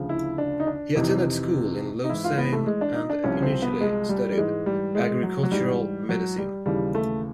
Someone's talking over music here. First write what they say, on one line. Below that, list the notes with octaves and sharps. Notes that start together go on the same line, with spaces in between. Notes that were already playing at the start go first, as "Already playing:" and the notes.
He attended school in Lausanne, and initially studied agricultural medicine.
Already playing: D2 C#3 F3
E4
D4
D#4
D4
F2 C3 E3 D#4
D#4
G#2 E3 E4
F4
B3
A3
G#3
D4
D#4
D4
C2 C3 F3 C#4
C4
B3
G#3
G3
G3
G#2 E3 G#3
G3
G#3
F#3
F#3
G#2 E3 G3
F#3
G3
D#2 C#3 E3 G3
A3